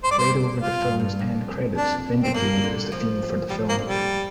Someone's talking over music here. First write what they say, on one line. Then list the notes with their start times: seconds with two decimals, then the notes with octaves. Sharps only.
Played over the film's end credits, "Vindicated" is the theme for the film.
0.04 G2 C5
0.11 D5
0.19 C5
0.33 A#2
0.61 F4
0.80 G2
0.99 G2
1.19 F2
1.77 D4
2.23 F2 C4
2.34 G2 A#3
2.63 A#2 D3
2.92 F3 A#3
3.49 C3 F3 G3
3.69 A#3
3.79 A#2 D3
3.87 G3